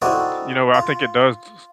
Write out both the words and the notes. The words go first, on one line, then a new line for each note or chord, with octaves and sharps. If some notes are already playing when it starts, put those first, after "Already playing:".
you know, I think it does s
C4 D#4 E4 F#4 A4 D5
F4